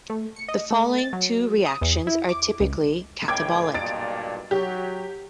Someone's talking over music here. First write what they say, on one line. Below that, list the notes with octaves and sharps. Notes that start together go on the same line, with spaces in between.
The following two reactions are typically catabolic.
A3
C#7
D#5
A3
A6
F#3
D#6
E2
E4
D6
C#2
C#2 A2 G5 D6 G#6
B1 G2 A#2 D#5 A6 D7
F#3 G4